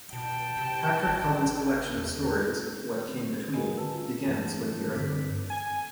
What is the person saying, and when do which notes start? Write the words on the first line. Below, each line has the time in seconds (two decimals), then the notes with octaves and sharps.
Patrick Cullen's collection of stories, "What Came Between", begins with the earthquake.
0.13 B2 G5 A5
0.57 C3
1.07 G#1
1.97 E2
3.08 C4
3.54 F#4 G#4 A#4 B4 D#5 G#5
3.78 A5 E6
3.95 F4
4.28 G2 E3 F#4 G#4 A5
4.95 G2 D3 C4 A4 D6 B6
5.50 G#5